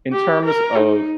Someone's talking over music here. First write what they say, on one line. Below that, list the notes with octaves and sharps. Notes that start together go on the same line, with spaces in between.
In terms of
G4
A#4
D#4